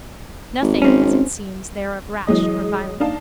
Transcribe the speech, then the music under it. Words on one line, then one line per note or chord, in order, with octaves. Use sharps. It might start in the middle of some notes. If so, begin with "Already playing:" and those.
Nothing, as it seems, there of rash or violent.
G#1
G#1 C4 C#4
E3 F#3 G#3 D#5
D4 D#4 F5 A5